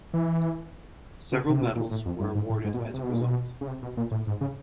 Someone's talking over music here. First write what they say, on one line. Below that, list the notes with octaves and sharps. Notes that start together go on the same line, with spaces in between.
Several medals were awarded as a result.
E3
C#3
C3
B2
A#2
A2
F2
G2
G#2
A2
G#2
B2
A#2
C3
B2
A#2
B2
C#3
C3
B2
A#2
A2
G#2
C#3